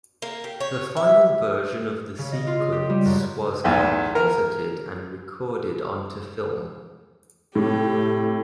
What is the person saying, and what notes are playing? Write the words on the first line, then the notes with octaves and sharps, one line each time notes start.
The final version of the sequence was composited and recorded onto film.
A#3
G4
C#5
E5
C#3
D#5
F4
G#4
G4
G3
F#2
B1 E2
A#4
A2 C3 G4